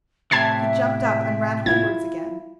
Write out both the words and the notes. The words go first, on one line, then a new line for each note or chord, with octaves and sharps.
He jumped up and ran homewards again.
A2 C3 E3 E5 G5 A5 G#6 C7
E4 F4 G#6